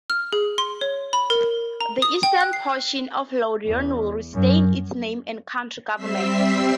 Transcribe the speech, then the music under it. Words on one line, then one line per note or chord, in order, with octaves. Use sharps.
The eastern portion of Loudoun would retain its name and county government.
F6
G#4
C6
C#5
B5
A#4
A#5
D#6
G5
F#6
C7
E2
F#2 F#3
G3 C4 E5 C6 E6 B6